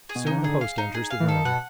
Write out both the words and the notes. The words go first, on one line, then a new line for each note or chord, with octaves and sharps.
Soon the host enters the room.
G#4
B2
C#3 D#4
D3
G#4
F5
D#4
G#4
F5
E3
D#3 A4
B2 F#5